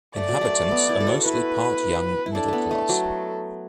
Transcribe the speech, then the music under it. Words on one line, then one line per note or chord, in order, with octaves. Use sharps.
Inhabitants are mostly part young middle class.
A3 D5
F#3
A3
B3
E4
A4
F#4
E4 B4
E4
D4 A4
A3 B3
A3
F#3